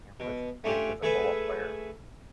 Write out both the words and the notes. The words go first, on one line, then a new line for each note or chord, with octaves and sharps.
When he plays when he plays a football player.
B2
A3 C#4 D4 F4 G4
A3 G#4 A4 B4 E5